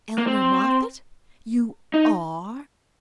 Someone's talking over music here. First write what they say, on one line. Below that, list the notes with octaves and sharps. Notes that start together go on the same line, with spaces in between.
"Elmer Moffatt--you ARE?"
A#3
C4
D#4